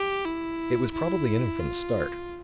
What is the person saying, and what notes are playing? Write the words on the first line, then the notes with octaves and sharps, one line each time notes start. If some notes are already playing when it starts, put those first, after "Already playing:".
It was probably in him from the start.
Already playing: G4
E4
E4
F4